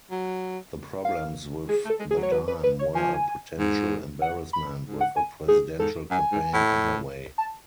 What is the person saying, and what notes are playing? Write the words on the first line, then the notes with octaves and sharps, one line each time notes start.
The problems with the dime were a potential embarrassment with a presidential campaign underway.
F#3
F5
G#3 G#4
A3
A4
G#3
G#4
F#3
C#5
B4
B4
B4
C#5
F3 G#5
G#2
F#5
B5
G#2
F#5
G#5
G#2 G#4
G#2 A4
F#2 G#5
G#2
A2
A5